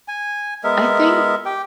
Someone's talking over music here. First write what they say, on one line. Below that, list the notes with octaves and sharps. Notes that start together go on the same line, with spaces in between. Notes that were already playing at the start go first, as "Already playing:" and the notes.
I think
G#5
G#3 B3 A#4 E5
G4 G5